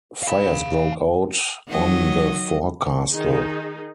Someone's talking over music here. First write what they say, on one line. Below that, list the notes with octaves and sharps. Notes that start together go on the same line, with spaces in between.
Fires broke out on the forecastle.
F5 B5
D#3 F#3 D#5
D#3 D#4 G#4